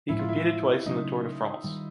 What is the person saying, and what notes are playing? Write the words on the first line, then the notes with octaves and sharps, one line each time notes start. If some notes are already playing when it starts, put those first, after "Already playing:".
He competed twice in the Tour de France.
A2 F3 G#3 B3 E4
F4
E4
C#3 F#3 A3 C#4 D#4
D#3 G3